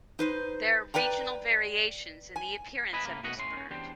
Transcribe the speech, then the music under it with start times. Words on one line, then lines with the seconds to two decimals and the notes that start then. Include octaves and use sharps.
There are regional variations in the appearance of this bird.
0.19 D#4 B4 C5
0.94 B4 D5 G5 A#5
2.36 G#5
2.93 G#2 B4 D#5 G#5 B5
3.05 A2 C#3 A#3
3.23 B2 A3 F#4 D#5 F#5
3.37 A2 C#4 C6
3.57 C#4
3.71 E2 D4 G4 C5